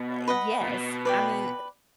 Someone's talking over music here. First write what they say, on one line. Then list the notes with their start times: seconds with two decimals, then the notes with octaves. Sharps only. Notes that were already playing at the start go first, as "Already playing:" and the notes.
Uh, yes. I mean
Already playing: B2
0.28 B4 D#5 F#5
0.61 A#2
0.67 B2
1.05 B4 D5 G5